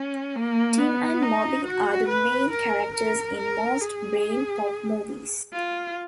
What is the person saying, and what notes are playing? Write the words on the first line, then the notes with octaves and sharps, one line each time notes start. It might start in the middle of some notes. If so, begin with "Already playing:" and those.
Tim and Moby are the main characters in most BrainPop movies.
Already playing: C#4
A#3
B3
D#4
F#4
B4
A#4
A#4
A#4
G#4
F4